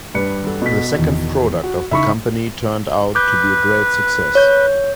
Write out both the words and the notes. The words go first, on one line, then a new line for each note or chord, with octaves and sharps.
The second product of the company turned out to be a great success.
G2 B4 C#7
F#3 F#4 A4
B2 B6
E2 D#3
F#4
C#3 D#4 E4 E5 B5 C#6
B4 D6 G6
C#5 G6